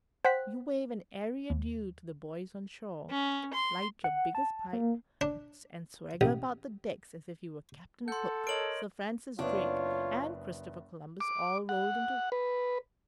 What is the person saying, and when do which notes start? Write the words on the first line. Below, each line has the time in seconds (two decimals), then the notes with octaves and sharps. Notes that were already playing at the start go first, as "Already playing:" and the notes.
You wave an airy adieu to the boys on shore, light your biggest pipe, and swagger about the deck as if you were Captain Cook, Sir Francis Drake, and Christopher Columbus all rolled into one.
0.25 C5 F#5 G5 F#6 B6
1.50 D#2
3.10 C#4
3.54 C6
4.04 F#5
4.35 A5
4.73 A#3
5.21 D4
6.21 A1
8.08 A4 F#5 C6 G6
8.47 A#4 C#5 D#5 D7 F#7
9.39 F#1 B3 D4 F4 C#5
11.20 D6
11.69 F#5
12.32 B4